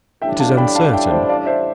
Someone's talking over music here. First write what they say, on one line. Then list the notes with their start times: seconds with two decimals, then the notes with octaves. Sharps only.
It is uncertain.
0.22 A1 A2 G3 D4 E5 G5
0.40 F5 A5
0.57 G5 B5
0.75 F5 A5
0.93 E5 G5
1.11 C5 E5
1.29 D5 F5
1.46 C5 E5